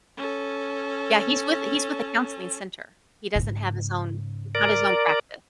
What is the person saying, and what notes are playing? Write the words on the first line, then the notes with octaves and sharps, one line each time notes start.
Yeah, he's with he's with a counseling center. He doesn't have his own he's not his own practice.
C#4 A4
G#2 C#3
A#4 D5